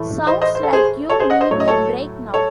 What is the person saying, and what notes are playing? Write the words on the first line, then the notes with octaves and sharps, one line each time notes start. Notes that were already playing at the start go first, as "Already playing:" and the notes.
Sounds like you need a break now!
Already playing: A2 E3 A3
C5 D#5
C5 D#5
C5
A4
G#4 C5
A4 C#5
G#4 C5
D#5 F#5
C5 D#5
A2 F#3 A3 C#5
D#5
A4 C#5
A4 C#5